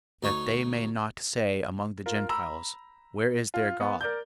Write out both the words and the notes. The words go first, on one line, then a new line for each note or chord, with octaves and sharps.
That they may not say among the Gentiles: Where is their God?
D2 D#4 C#5
F4 A#4
A#5 B5 E6
F4
B3
A#4 D5 G6